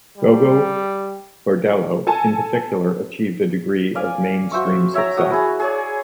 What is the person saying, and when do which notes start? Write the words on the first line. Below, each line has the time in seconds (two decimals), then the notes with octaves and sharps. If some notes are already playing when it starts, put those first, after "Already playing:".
Gogol Bordello, in particular, achieved a degree of mainstream success.
0.18 G3
2.07 A4 G#5 A5
3.95 D5 F5 G#5
4.51 F#4 C5 E5 C#6
4.94 C#5 E5 G5 A#5
5.17 F#4 D#6
5.31 E4 G#4
5.60 G#4 C#5 D5